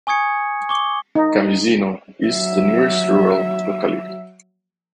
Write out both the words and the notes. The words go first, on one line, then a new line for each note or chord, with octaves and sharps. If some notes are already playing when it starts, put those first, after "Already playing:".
Kamyzino is the nearest rural locality.
G#5 C#6 D#6 G#6 C#7
C#6 D6 G7
D#4
F#3 E5